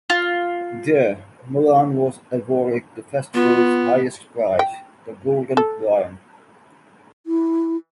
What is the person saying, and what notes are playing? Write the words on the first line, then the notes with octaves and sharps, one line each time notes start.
There Mullan was awarded the festival's highest prize, the Golden Lion.
F4
B3 F4
G5
A4
E4